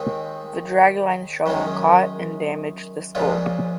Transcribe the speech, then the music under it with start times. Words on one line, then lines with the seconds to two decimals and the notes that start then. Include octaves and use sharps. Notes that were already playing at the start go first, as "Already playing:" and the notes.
The drag line’s shovel caught and damaged the skull.
Already playing: D#2 D#3 G#3 C4
1.46 F#2 D#3 G#3 C#4
3.15 A#1 A#2 G#3 C#4 F4